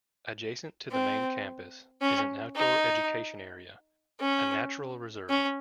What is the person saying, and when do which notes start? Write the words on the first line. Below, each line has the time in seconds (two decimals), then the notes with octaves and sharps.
Adjacent to the main campus is an outdoor education area, a natural reserve.
0.92 C4
2.02 C#4
2.56 D#4
4.20 C#4
5.29 C#4